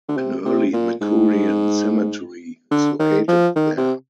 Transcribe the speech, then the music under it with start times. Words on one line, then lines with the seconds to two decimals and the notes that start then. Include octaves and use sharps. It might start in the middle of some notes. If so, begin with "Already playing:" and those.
An Early Makurian cemetery is located there.
0.09 D3
0.17 C3
0.45 C3
0.73 A#2
1.01 G#2
2.71 D3
2.99 D#3
3.28 F3
3.56 D#3
3.77 C3